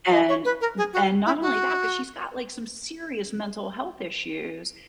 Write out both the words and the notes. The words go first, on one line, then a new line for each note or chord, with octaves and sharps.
and w and not only that, but she's got, like, some serious mental health issues.
D#5
C#5
B4
A#4
G#4
F#4
E4
F#4